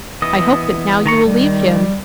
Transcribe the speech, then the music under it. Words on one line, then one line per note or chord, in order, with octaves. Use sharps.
I hope that now you will leave him.
E3 B3 D#5
D#3 A#5 C#6
D#3 G3